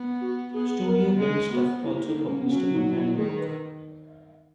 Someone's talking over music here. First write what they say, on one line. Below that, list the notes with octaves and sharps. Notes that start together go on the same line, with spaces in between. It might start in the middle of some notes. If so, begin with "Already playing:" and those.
Studio Bent Stuff also published a companion book.
Already playing: B3
F#4
B3 G#4
A#4
G#3 G#4
B3 F#4
A#3 E4
D#4
C#4
B3
F#3 C#4
D#4
E4
D#3 G#4
B4